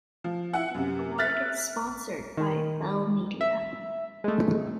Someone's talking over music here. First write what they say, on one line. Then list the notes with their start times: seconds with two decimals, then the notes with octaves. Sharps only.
The award is sponsored by Bell Media.
0.24 F3
0.53 E4 F#5
0.74 F#2 C3
1.18 E5 F6 F#6 A6 B6
2.37 D#3
3.41 E5
4.24 G#3 A3